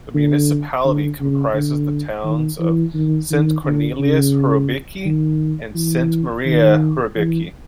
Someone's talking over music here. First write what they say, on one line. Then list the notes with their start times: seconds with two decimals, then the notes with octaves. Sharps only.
The municipality comprises the towns of Sint-Kornelis-Horebeke and Sint-Maria-Horebeke.
0.15 D3
0.85 D3
1.20 C#3
1.54 D3
2.24 D#3
2.60 E3
2.94 D#3
3.31 D#3
3.64 D3
4.00 C#3
5.05 D#3
5.75 E3
6.46 D#3
7.16 E3